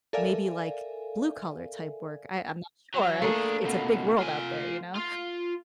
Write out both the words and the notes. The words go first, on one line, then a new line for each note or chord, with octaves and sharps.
maybe like blue-collar type work. I I'm not sure. It's it's a big world out there, you know?
A4 A#4 D5 E5 F5 G#5
F#3
A3 A#3 D4 G#4
C#2 B2
F4 G#5
F4